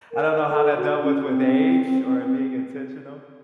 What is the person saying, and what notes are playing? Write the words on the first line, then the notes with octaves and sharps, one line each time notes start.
don't know how that dealt with with age or it being intentional,
A#4
A4
F#4
C#4
C4